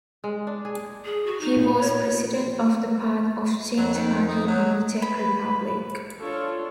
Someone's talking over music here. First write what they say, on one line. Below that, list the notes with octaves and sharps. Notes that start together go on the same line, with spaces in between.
He was president of the Path of Change party in the Czech Republic.
G#3
D4
G#4
G#4
F#4
D#4
A#2
C#5
F2 F#3
D#3
D#4
F#3
B4 B5
D4 F4 A4 C#5